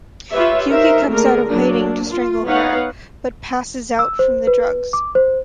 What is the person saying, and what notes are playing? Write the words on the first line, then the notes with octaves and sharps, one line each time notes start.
Hughie comes out of hiding to strangle her, but passes out from the drugs.
F4 G4 B4 C#5 E5
D#4 A#4 C5 E5
D3 A3 A#3 G#4 A#4
F#3 A#3 D4
F4
B3 D#4 B4 C#5 F5 F#5
E6
C5
B4
D6
C5